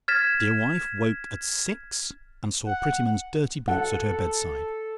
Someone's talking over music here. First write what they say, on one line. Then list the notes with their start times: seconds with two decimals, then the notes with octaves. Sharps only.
His dear wife woke at six, and saw Prettyman's dirty boots at her bedside.
0.08 F6 G#6 A6 B6 E7
2.66 F#5
3.68 A4 F#5